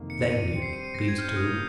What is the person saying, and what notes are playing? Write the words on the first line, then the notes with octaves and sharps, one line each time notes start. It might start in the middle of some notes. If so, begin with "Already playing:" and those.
THEY knew, these two.
Already playing: F2 C3 D#3 A#3
C#7
D#7
G3 C4 G4 C5 C#7
C7
D#7
C#7
A#6
G#6
F6
G6
C#3 G3 A#3 D#6